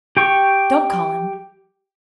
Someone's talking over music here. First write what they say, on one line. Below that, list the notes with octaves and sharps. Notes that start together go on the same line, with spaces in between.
Don't call him.
G4 G5 C#6